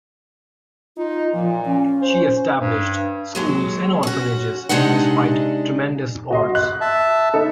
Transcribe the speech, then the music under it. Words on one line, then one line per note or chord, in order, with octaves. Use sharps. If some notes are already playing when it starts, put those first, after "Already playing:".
She established schools and orphanages despite tremendous odds.
D#4 F4
A#2 F3
C#4
C5
G2
D#2 F#3 G#3
C#4 F#4
C3 F3 G#3 D4 D#4 F#5
F#4 D#5 C6
F#6
E5 A5
D#4 A4